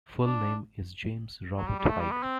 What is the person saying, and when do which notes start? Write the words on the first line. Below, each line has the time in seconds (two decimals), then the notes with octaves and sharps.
Full name is James Robert Hyde.
0.25 D4
1.57 F#3
1.67 G3
1.79 G3
1.89 A3
2.00 G3
2.11 B3
2.23 C4